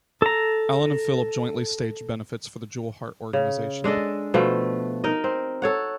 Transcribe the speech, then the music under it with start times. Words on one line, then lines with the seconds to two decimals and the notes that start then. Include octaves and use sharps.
Allen and Philip jointly staged benefits for the Jewel Heart organization.
0.22 A4 A#5
3.33 C#3
3.84 G#3 D4 A4 D#5
4.34 B2 F3 A3
5.04 D#4 A#4 D#5
5.24 C4
5.62 A4 C#5 F#5